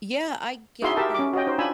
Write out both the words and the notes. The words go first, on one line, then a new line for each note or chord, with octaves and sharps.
Yeah, I get that.
D#4 E4 F#4 G#4 E5 C6
G4 A#4 E5 A5
C#4 D6
F#4 C#5 D#5 G5
D#4 C5
D4 F4 G#5 B5 E6